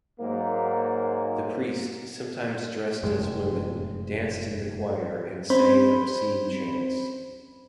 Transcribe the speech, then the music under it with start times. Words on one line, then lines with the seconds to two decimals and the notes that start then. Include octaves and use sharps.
The priests, sometimes dressed as women, danced in the choir and sang obscene chants.
0.19 G#2 F#3 A#3
3.03 F1 F#2 A2 G#3
5.50 C4 C#4 C5 B5